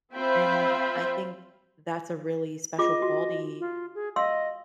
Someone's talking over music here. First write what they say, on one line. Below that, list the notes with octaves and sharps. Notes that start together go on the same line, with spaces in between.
and I think that's a really special quality-
C4 F4 C5 E5 G5 B5
F4 G#4 D#5 D6
F#4
F4
G#4
D#5 F5 C6 E6